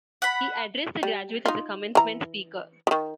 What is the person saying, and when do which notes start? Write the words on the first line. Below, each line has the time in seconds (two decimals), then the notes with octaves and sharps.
He addressed the graduates as the commencement speaker.
0.22 F#5 B5
1.03 G3
1.46 D#4 F4
1.95 E3 A#5
2.87 D#3 F3